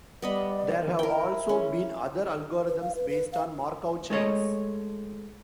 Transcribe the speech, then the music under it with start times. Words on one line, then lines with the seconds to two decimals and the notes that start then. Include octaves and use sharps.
There have also been other algorithms based on Markov chains.
0.22 G3 B3 D5 D#5 B5
0.80 A#4
0.99 E4 A#4 E5 G5
1.49 C#4
2.67 B4
2.81 F5
2.95 B4
3.09 B4
3.32 F5
4.10 G#3 A3 B3 C#5 D#5